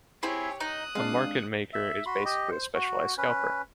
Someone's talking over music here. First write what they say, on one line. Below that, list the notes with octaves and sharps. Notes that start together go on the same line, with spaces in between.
A market maker is basically a specialized scalper.
C4 E4 G4 G#4 C#5
D#4 D#6 F#6
G#3 C4 D4 F5
E5
F#4 B5 C6
G4 D#5
C5
F#4
C#4 B4